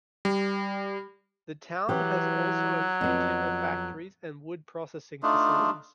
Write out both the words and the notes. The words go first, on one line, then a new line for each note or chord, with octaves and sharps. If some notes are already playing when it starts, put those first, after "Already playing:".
The town has also a few timber factories and wood processing facilities.
G3
E3 F#3 G4
F2 B3
A3 D4 D#4 F4